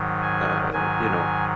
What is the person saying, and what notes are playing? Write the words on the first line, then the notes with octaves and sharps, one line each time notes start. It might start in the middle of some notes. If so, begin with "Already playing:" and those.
uh, you know,
Already playing: G#2 D#3 F#3
G#5
G#2 D#3 F#3 G#5